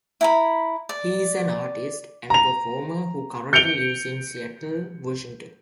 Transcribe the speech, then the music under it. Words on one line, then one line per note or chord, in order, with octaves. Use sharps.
He is an artist and performer who currently lives in Seattle, Washington.
E4 A#5 B5
D5
A#5 F7
G6 C#7 D7 F7 G7